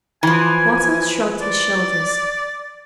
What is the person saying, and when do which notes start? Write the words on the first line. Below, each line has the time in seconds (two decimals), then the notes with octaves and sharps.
Wattles shrugged his shoulders.
0.23 E3 F3 G#5
1.41 D5